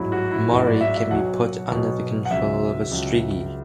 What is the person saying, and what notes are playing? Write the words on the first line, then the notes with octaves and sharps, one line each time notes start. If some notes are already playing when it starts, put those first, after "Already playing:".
Moroi can be put under the control of a strigoi.
Already playing: A1 G#2 F#3 E4
F#4
E4
A1 G#2 F#3 F#4
D5
E5
E5
B1 B2 F#3 F#5
B1 B2 F#3
F#5
C#2 C#3 F#3 E5
C#2 C#3 F#3